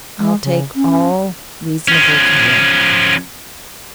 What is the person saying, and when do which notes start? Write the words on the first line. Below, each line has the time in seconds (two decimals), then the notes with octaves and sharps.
"I'll take all reasonable care."
0.18 G#3
0.43 C#3
0.75 C#4
1.88 F3 C#4